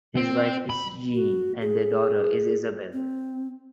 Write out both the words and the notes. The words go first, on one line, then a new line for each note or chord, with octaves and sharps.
His wife is Jean, and their daughter is Isabel.
C4
B5
F#4
G#4
C4